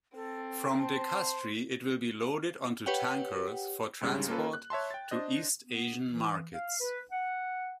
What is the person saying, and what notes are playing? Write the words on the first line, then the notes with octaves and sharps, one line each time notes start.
From De-Kastri it will be loaded onto tankers for transport to East Asian markets.
C4 A4
C5 A5
G4 B4 C#5 F#5 G5
C#2 G#2 C#3 G3
A#3 C#4 F4 A4 B4
F#6
C#5 E5 A5 C6
G5 A6
D4 C5 D#5
B3
E3
F5
B4
F#5